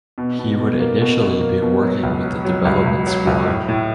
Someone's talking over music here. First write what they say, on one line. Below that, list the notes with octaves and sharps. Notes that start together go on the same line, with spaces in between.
He would initially be working with the development squad.
B2
B2
B2
A#3
B2
B2
A#3
B2
F#3
C#2
F#3
F#3
C#2
C#2
F#3
C#2
A2
A2